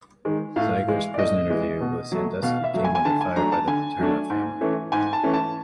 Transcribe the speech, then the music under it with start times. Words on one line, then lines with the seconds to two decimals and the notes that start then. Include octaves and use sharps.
Ziegler's prison interview with Sandusky came under fire by the Paterno family.
0.25 D#3 G#3
0.56 A2 F5
0.87 E3 G#3
1.14 D5
1.18 A2 D#5
1.50 E3 G#3
1.81 B2
2.12 F#3 A3
2.42 B2 F5
2.64 E5
2.74 F#3 A3
2.84 G#5
2.95 G#5
3.05 D3 A5
3.21 G#5
3.36 F#3 A3 D4 A#5
3.52 A5
3.67 D3 G#5
3.99 F#3 A3 D4
4.30 G#2
4.61 E3 A3 C#4
4.92 G#2 G#5
5.13 A5
5.23 E3 A3 C#4
5.34 A5